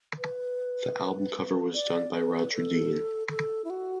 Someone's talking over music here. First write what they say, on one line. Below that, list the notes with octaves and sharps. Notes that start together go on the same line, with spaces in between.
The album cover was done by Roger Dean.
B4
D5
B4
A4
A4
E4
F#4